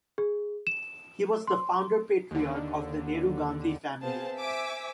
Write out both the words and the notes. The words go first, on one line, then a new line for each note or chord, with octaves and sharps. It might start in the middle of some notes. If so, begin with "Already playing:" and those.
He was the founder patriarch of the Nehru-Gandhi family.
G#4
E7
C6
D#2 D3
B3 C4 G#4 C5 F5 A5
C5 E5 G#5 D6 E6 B6